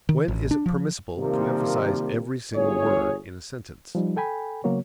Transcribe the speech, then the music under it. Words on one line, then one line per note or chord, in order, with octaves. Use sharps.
When is it permissible to emphasize every single word in a sentence?
D#3
A1
D4
F3
C3 D#3 F3 G3 A#3
G1 G#4 C#5
F3 G3 D#4
A4 G5 G#5 B5
C#3 F#3 A#3 B3 F#4 C#5